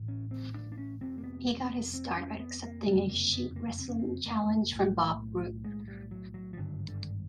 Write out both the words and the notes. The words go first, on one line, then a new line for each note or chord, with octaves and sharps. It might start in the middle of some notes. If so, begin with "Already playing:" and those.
He got his start by accepting a "shoot" wrestling challenge from Bob Roop.
Already playing: A1 A2
C#4
C4
D4
D4
C#4
F1 F2 C3 C4
A#3
B3
A#3
C4
B3
C4
C#4
B3
A#3
F#1 F2 C3 A3
A#3
B3
A#3
C4
C#4
C4
A#3
B1 A2
G#3
G3
F#3
F#3
F3
G#1 G2 D3 F#3
D3